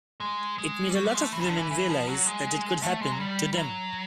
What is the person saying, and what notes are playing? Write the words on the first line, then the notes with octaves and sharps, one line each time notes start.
It made a lot of women realize that it could happen to them.
G#3
G#3
G3
F#3
G3
G#3
A3
E3
C#3
D3
E3
E3
F3
F#3
G#3
A3
G#3
F#3
G3
G3
F#3